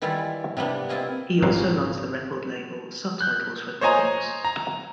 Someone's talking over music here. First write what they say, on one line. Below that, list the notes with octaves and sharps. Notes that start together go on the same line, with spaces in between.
He also runs the record label Subtitles Recordings.
D#3 E3 G3 E4 F4 D5
C3 G3 A#3 B3 D4
C4 E4 F4 D#5 F5 G#5
G#1 C#2 A#2 F#3 F5
F#6 G6
C5 C#5 D#5 G#5 A#5
A#5